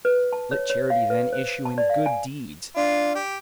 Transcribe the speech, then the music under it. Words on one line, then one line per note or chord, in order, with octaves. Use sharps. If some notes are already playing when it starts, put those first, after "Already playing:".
Let charity then issue in good deeds.
B4
A5
C#5
C#5
F5
B4
C5
A5
D5
F5
G#5
D4 F4
G4